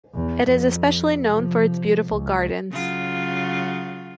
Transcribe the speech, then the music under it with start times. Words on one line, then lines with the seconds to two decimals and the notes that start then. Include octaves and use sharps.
It is especially known for its beautiful gardens.
0.14 E2
0.44 F2
1.26 C3 F3
2.06 C#2
2.71 C#3 F#3 F4